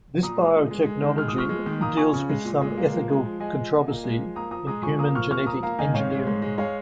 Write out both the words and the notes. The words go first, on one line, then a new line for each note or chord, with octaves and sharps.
This biotechnology deals with some ethical controversy in human genetic engineering.
A#2 A#5 D#6
G#3
A#2
G#3
G#3
D#3
G#3 F6
D#6
F3 C#6 F6
G#3
D#3
A#3 A#5 D#6
F3 G#5 C#6
C#3
G#3
A#2
G#3
A#3
F3
G#3
F3
G#3 D#5 G#5
F3
A#2
A#3
G#3
F3
A#3 A#5 D#6
F3 A#5 D#6
G#3 A#5 D#6
F3 G#5 C#6
A#3 A#5 D#6
F3 C#6 F6
A#3 C#6 F6
F3 A#5 D#6
A#3 F5 A#5
D#3 D#5 G#5
G#2 C#5 F5
G#3
G#2
G#3
G#3 C#5 F5